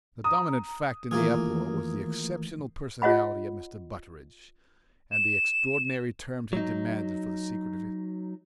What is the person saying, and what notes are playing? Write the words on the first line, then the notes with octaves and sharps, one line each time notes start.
The dominant fact in the uproar was the exceptional personality of Mr. Butteridge, and the extraordinary terms he demanded for the secret of his machine.
A#5 D#6
D#3 E3 A3 A#3 F4 G#4
F4 C#5 D#5 F#5 B5
E7
F#3 D#4